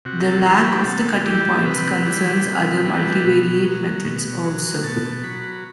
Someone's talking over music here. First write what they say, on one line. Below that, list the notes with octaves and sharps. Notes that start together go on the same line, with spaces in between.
The lack of the cutting points concerns other multivariate methods, also.
C3 F#4
A4
E3 G3 C5
B4
C3 A4
E3 G3 G4
C3 B4
E3 G3
C3
E3 G3
B2
F#3
B2
F#3
B2 A5
F#3 B5